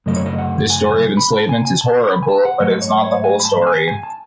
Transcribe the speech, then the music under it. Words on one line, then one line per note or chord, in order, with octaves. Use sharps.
This story of enslavement is horrible, but it is not the whole story.
F#2 C#3 F#3 A3 D#5
C#5
D#5
F#5
G#5
G#5
B5
A5
G#5
G#5
A5
B5
G#5
A5
F#5
G#2 F#3 A3 D#5
C#5
C#5
G#5
B5
A5
A5
G#5
G#5
A5